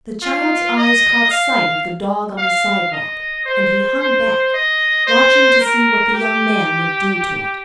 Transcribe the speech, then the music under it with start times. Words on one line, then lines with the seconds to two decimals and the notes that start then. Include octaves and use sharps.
The child's eyes caught sight of the dog on the sidewalk, and he hung back, watching to see what the young man would do to it.
0.23 F4
0.77 D#5
1.31 F5
2.38 F5
2.92 D#5
3.46 C5
3.99 C5
4.54 D#5
5.07 C5
5.61 A#4
6.14 G4